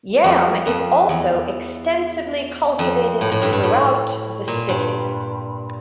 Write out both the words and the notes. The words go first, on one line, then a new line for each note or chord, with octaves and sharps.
Yam is also extensively cultivated throughout the city.
F2
F2
E2
F2
A2
A2
G2
G2
A2
A#2
G2